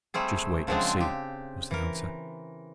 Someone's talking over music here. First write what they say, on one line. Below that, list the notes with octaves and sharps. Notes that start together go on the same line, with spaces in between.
"Just wait and see," was the answer.
G3 A3 C4 G#4
C#3 F3 F#3 G#3 C4 D4
G4
E3 A#4